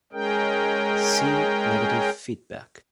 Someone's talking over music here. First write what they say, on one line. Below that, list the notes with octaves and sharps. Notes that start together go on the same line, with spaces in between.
See Negative feedback.
G#3 C#4 G#4 A#4 G5